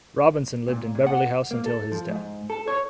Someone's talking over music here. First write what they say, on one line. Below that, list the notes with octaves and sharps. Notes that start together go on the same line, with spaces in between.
Robinson lived in Beverley House until his death.
A#2
A#2
F#5
A#3
A4
F3
G#2
A4
C#5